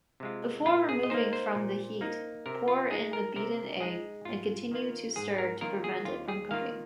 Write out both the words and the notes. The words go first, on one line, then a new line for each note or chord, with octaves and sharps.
Before removing from the heat, pour in the beaten egg and continue to stir to prevent it from cooking.
C3 G#3 F4
A#2 F4
G#4
D#5
A#3 D#4 C5
C5
A#2
A#3 D#4
C3 A#4
F4
G#3 D#4 G#4
A#4
C3 A#4
G#3 D#4 G#4
G#2 F4
D#3 A#3 F4
G#2 G#4
A#4
D#3 A#3 F4 A#4
G#4
D#2 F4
G#4
D#3 A#3 F4 F5